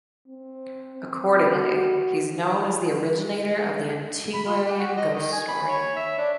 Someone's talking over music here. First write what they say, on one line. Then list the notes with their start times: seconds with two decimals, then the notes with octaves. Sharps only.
Accordingly, he is known as the originator of the "antiquarian ghost story".
0.28 C4
1.44 F#4
4.34 B5
4.46 F4
4.64 G4
4.79 F#4
4.97 D#5
5.15 D#3
5.32 G#5
5.48 B5
5.69 C#5
5.96 E5
6.18 D4